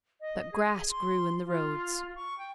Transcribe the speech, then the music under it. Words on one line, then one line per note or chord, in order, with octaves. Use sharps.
But grass grew in the roads.
D#5
G#4
C6
F4
C#6
G5